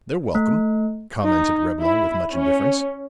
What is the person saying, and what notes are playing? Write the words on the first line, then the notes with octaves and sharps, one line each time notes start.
"They're welcome," commented Reblong with much indifference.
A3
D#4
E4
C#4